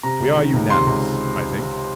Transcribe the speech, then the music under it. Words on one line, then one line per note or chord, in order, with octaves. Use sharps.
We are unanimous, I think.
C3 A#5
C#2
D#3
C#2
C3 C6
C#2